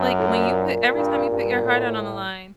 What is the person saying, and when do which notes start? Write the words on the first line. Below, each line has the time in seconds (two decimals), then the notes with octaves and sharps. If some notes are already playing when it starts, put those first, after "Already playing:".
Like, when you put every time you put your heart out on the line
Already playing: F#2
0.19 A2
0.28 A#2
0.96 G2
1.30 G2
1.63 A2